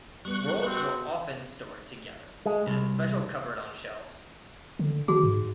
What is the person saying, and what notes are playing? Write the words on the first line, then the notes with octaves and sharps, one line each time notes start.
Rolls were often stored together in a special cupboard on shelves.
G3 B3 C#6 F#6
B2 C4
G#3
C2
D3
D#3 F#4 G#4
G#2